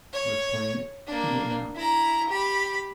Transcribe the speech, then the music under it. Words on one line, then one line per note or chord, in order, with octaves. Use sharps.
It was playing it too low down.
C#5
A#3 D4
E4 A#5
G4 B5